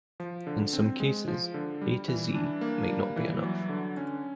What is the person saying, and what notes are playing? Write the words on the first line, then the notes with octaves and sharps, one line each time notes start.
In some cases, A to Z might not be enough.
F3
D3
C4
G#3
F3
D3
G3
E3
D4
A#3
G3
E3
F#3
D3
C#4